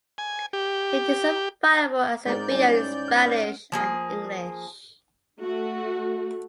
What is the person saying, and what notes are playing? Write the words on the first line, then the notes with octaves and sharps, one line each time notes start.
It is available as a video in Spanish and English.
G#5
G4
G#2 G#3 C4 A#4 D5 G6
G3 C#4 E4
F6
F#5
F3 A#3 G#4
A3 F#4